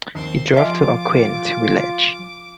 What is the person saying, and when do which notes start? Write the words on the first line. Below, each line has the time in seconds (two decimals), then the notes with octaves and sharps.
We drove to a quaint village.
0.15 D#2 C4 C6
0.56 F3 F4 D#5 E5 G#5 A5 D6 D7